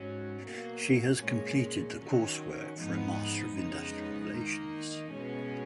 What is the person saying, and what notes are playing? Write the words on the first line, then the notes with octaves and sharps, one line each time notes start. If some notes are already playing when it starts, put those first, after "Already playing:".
She has completed the coursework for a Master of Industrial Relations.
Already playing: G#2 F#3 C#4
B2 F#3 A#3
A#2 G#3 C#4
D#3 F#3 C#4
G#2 F3 B3 D#4
F2 C#3 G#3 B3 D#4
D#3 A#3 D#4
B2 G#3 C#4